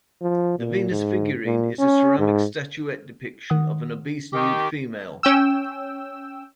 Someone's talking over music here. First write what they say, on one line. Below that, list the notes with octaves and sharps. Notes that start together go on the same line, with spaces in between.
The Venus figurine is a ceramic statuette depiction of an obese, nude female.
F3
A#2
G#2
A#2
C#4
G#2
D#3 F#5 D#6
D#3 G4
C#4 G5 E6